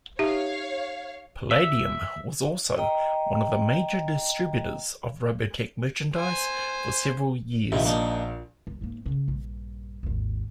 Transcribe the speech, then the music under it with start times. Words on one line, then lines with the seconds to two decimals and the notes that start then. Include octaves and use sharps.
Palladium was also one of the major distributors of "Robotech" merchandise for several years.
0.19 D#4 G4 C#5 E5 F5
1.51 E5
2.77 D#5 G5 A#5
6.15 C5 G#5
7.72 A#1 C3 D#3 F3
7.85 A#3 D4 D#4
8.67 G2 D3
8.81 G#2 A#3
9.06 C#3 C#4
9.28 A#1 G2
10.03 G#1 D#2